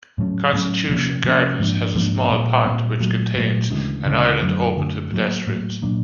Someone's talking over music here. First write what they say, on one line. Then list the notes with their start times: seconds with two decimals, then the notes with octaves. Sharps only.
Constitution Gardens has a small pond, which contains an island open to pedestrians.
0.18 A2 F#3 A3 C#4
0.53 A2 F#3 A3 C#4
0.89 C3 F3 A#3 C#4
1.24 C3 F3 A#3 C#4
1.59 G#2 F3 A#3 D4
1.95 G#2 F3 A#3 D4
2.30 A#2 G3 C4
2.65 A#2 G3 C4
3.00 A#2 F#3 A3
3.36 A#2 F#3 A3
3.70 D2 C#3 E3 G#3
4.06 D2 C#3 E3 G#3
4.41 F#2 D3 F#3 A3
4.77 F#2 D3 F#3 A3
5.12 A2 F#3 A#3
5.47 A2 F#3 A#3
5.82 A#2 F#3 A#3 D4